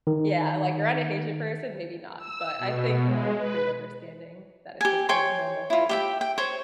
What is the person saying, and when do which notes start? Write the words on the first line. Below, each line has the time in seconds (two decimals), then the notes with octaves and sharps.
Yeah, like, around a Haitian person, maybe not, but I think we're all pretty understanding that it's just the normal thing.
0.07 D#3
2.17 E6
2.58 B2
3.06 G#3
3.37 B4
4.81 G4 G#5
5.09 C#5 G5 G#5 C6
5.70 E4 F4
5.89 G4 E5 G5
6.21 G5
6.38 C5 C#5